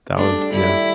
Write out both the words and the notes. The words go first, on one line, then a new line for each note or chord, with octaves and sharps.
That was yeah.
A3 D4
G3
G3 E4
G3